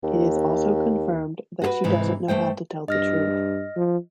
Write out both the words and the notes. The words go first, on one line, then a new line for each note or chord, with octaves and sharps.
It is also confirmed that she doesn't know how to tell the truth.
D#2
F#4 G#4 B4
G#2 C3 E3
G2 F3 A3 C5 G5
G2 D#5 F6 A#6
F3